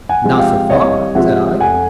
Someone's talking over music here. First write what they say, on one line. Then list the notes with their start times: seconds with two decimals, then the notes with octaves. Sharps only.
"Not so far," said I.
0.09 F#5 G#5
0.24 C3 F3 G#3 C4
0.39 F5 G5
0.70 C2 C#5 D#5
1.15 C3 F3 G#3 C4 E5 F#5
1.60 F1 F#5 G#5